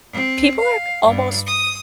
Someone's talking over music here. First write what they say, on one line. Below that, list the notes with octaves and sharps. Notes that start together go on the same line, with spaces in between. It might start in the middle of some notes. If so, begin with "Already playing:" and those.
people ark almost
C4
F5
G2
D#6